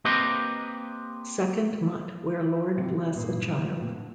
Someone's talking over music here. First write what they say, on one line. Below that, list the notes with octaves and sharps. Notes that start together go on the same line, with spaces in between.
Second mutt where lord bless a child.
A#3 C4 G4 B4 D#5
G#2 C3 D#3 F3 F5
G3
G2 A#2 E3 F3 B3 D#4
E3 G3 B3
F2 A#2 D#3 E3
D3